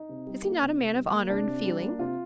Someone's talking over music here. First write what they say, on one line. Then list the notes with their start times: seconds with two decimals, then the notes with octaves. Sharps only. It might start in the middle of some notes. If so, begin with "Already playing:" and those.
Is he not a man of honour and feeling?
Already playing: D#4
0.09 C3
0.27 G3
0.43 A#3
0.61 C3
0.78 C3
0.95 G3
1.12 A#3
1.29 C3 D4
1.47 C3
1.64 G3
1.81 A#3
1.99 C3 F4